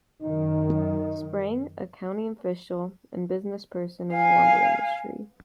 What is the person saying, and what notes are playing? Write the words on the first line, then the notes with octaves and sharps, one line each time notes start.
Sprang, a county official and businessperson in the lumber industry.
F#2 D#3 D#4
F5 G#5